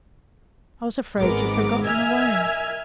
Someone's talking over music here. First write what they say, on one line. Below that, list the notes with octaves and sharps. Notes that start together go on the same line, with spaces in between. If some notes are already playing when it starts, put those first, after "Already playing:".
I was afraid you'd forgotten the way.'
G#1 G#2 G#3 B3 A#4 D6
A#4 D#5 E5 G#5 F6 G#6